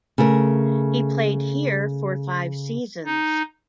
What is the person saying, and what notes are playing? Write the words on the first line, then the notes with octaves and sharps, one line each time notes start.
He played here for five seasons.
C#3 A3 A#4
D#4